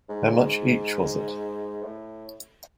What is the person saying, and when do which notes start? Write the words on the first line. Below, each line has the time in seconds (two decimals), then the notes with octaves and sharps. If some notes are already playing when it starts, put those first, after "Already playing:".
How much each was it?
0.09 G#2
1.82 A2